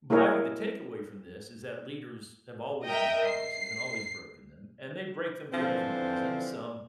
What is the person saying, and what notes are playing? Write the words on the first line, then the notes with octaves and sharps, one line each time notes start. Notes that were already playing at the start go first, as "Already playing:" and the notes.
but I think the takeaway from this is that leaders have always made promises and always broken them, and they break them for different reasons. Some
A#3 E4 G#4 A#4 C#5 D#5
A#4 D#5 E5 G5
C7
D3 E3 F3 C4